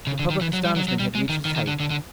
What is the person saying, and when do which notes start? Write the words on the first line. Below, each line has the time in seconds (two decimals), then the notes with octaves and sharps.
The public astonishment had reached its height.
0.07 C#3
0.19 D3
0.30 D#3
0.41 E3
0.53 F#3
0.65 G3
0.76 F#3
0.88 F#3
0.99 G3
1.15 G#3
1.29 D#3
1.45 D#3
1.56 D#3
1.67 D3
1.80 D3
1.90 D3